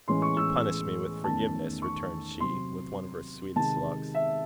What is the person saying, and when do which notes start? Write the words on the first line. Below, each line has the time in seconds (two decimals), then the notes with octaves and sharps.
"You punish me with forgiveness," returned she, with one of her sweetest looks.
0.08 A2 E3 G#3 C#4 C6
0.22 C#6
0.37 E6
1.24 E2 D#3 A3 C#4 A5
1.82 C#6
2.40 C3 F#3 C4 C6
3.56 C3 D#3 G#3 A5
4.15 E5